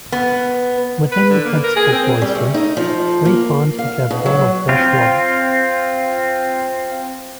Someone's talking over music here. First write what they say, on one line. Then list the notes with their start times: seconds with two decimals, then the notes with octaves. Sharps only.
Within the principal cloister, three ponds were kept full of fresh water.
0.12 B3
1.11 B4
1.30 D3
1.45 A#3
1.63 A#4
1.76 G#4
1.92 C4
2.22 G3
2.35 A3
2.54 D#4
2.77 F3
3.25 A#3
3.78 F5
4.11 B2
4.26 F#3
4.69 C4 F4